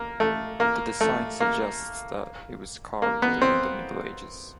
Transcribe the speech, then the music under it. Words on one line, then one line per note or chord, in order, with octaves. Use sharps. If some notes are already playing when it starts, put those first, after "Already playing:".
The design suggests that it was carved during the Middle Ages.
Already playing: A#3
A3
A#3
A3
A#3
A#3
B3
C4